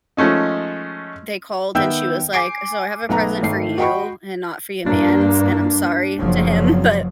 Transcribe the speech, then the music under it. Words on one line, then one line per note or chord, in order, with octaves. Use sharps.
they called, and she was like, "So I have a present for you and not for your mans, and I'm sorry to him." But,
F3 G#3 A3 C#4 D#4
D#3 B3 E5 G5 E6 G6
G#5 D6 C7 D7
B1 A3 B3 A#5
G#1 D#3 A3 C7
F#4 D#5 G5 B5 C#6
G2 A#3 D4
F#1 F3 F#3